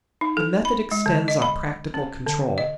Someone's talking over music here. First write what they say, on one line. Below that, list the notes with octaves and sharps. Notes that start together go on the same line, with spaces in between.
The method extends our practical control.
D#4
A4
B5
G#3
D3
D#5
B5
C#4
D3
D#5